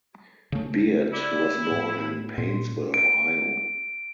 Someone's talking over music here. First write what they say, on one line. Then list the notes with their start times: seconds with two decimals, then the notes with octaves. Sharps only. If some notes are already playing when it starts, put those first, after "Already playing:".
Beard was born in Painesville, Ohio.
0.52 C#3 A3
1.13 E4 D5
1.71 A2
2.38 A#2 C6
2.94 D7